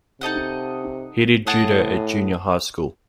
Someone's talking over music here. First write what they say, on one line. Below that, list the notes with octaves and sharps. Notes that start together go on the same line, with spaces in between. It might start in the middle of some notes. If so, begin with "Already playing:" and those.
He did judo at junior high school.
C3 D#4 A4 D#5 F#5
A2 G#4 D#5 F#5 A5